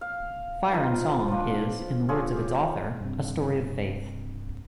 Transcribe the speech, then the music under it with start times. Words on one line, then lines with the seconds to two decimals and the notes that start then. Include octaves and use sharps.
"Fire and Song" is, in the words of its author, "a story of Faith".
0.01 F5
0.70 F3 D#4 B4
1.28 F3 D4
2.09 F4 G4 G#4 C#5
2.36 G4
3.01 G2 C3